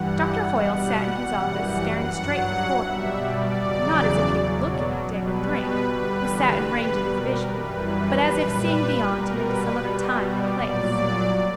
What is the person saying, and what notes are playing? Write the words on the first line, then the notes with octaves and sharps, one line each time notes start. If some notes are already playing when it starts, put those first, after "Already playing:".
Doctor Hoyle sat in his office staring straight before him, not as if he were looking at David Thryng, who sat in range of his vision, but as if seeing beyond him into some other time and place.
Already playing: G2 E3 G3 F#5
B2 G3 F#5
F#2 E3 G3
G2 F#3 F#5
B2 G3 E5
D5
E2 C#3 F#3
B2 F#3
B2 G3 B4
E2 D3 G3 B4
B4
B2 G3
A#4
F#2 E3 G3 B4
A#2 G3 B4
B2 G3 A#4
B4
B2 G3
D5
A#2 F#3